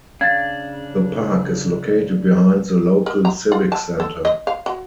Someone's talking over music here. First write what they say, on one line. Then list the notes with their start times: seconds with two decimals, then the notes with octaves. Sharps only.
The park is located behind the local Civic Center.
0.21 C#3 D4 F5 G#6 A6
3.06 A#4
3.25 A#5
3.52 F4
3.72 A5
4.00 A4
4.25 D#5
4.47 F5
4.66 F#4